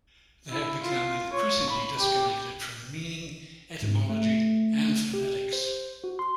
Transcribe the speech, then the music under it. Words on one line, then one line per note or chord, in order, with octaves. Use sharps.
They have become increasingly disconnected from meaning, etymology and phonetics.
E4
F4
C#5
B5
G4
G#2
A3
G4
C5
F#4
C6